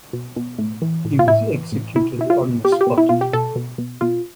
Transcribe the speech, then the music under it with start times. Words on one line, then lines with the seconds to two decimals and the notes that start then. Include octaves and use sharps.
He was executed on the spot.
0.13 B2
0.36 B2
0.58 A2
0.82 E3
1.05 A2
1.19 F4
1.27 A2 E4
1.50 E3
1.72 A2
1.96 B2 E4
2.19 B2 E4
2.30 F4
2.42 B2
2.64 B2 G4
2.72 F4
2.81 G4
2.87 B2
2.98 E4
3.09 B2 F4
3.21 G4
3.33 B2 A4
3.56 B2
3.78 B2
4.01 B2 F4